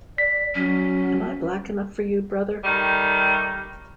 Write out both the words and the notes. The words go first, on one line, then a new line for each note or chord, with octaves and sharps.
Am I black enough for you, brother?
D5 B6
F#3 C#4
D#3 G3 A3